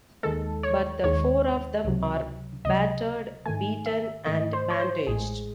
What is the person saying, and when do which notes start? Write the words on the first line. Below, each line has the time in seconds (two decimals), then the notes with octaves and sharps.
But the four of them are battered, beaten and bandaged.
0.23 D#2 D#3 G#3 A4
0.63 C#5
1.04 D#2 D#3 G#3 C#5
1.84 C#2 C3 F#3
2.65 C#2 C3 F#3 D#5
3.46 G#2 D#3 A3 G#5
3.86 E5
4.26 G#2 D#3 A3 D#5
4.53 C5
4.70 C#5
4.80 C5
5.07 A1 A2 G#3 G#4